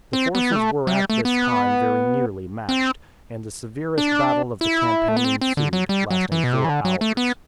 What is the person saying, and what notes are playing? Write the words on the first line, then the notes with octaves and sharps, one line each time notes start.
The forces were at this time very nearly matched, and the severest battle of the campaign ensued, lasting four hours.
C4
B3
G3
A3
F#3
G3
A3
B3
C4
D4
E4
A3
B3
C4
C4
D3
F#3
G3
F#3
E3
B2
C3
E3
D3
F#3
A3
B3